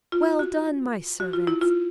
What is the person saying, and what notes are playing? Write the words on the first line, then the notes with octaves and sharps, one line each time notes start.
'Well done, my servants!
F4
F#4
F#4
F4
E4
F4